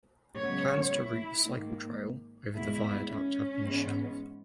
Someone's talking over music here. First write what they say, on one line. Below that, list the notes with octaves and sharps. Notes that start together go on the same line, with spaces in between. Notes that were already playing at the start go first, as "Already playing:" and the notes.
Plans to route the cycle trail over the viaduct have been shelved.
F#2 C#3 G#3 B3 C#5
E4
G#2 D#3 A#3
E2 B2 G#3 B3 E4
C#4
G#2 E3 G#3 B3